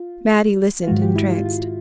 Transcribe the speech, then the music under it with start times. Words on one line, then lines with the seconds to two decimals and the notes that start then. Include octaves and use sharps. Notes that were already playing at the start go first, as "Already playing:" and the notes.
Mattie listened entranced.
Already playing: F4
0.83 F4
0.87 G#2 D#3 G#3 F#4
1.02 G4
1.16 E4
1.30 F4
1.46 F4